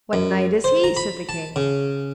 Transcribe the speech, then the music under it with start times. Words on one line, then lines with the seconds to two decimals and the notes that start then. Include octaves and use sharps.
What knight is he? said the king.
0.13 F#2
0.64 C5
0.84 A#5
0.97 B5
1.29 A5
1.56 C#3